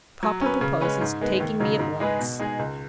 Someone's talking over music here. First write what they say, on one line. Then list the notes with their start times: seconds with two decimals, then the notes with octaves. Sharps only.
"Papa proposes taking me at once."
0.23 F#3
0.41 C#4 B4
0.61 C#3
0.81 G#3 C#4 B4
1.01 G#2
1.21 G#3 B3
1.40 D#2
1.60 C#3 F#3 D#4
1.79 G#2
2.00 G#3 D#4 G#4 B4
2.19 B2
2.39 G#3 D#4 G#4
2.59 C#2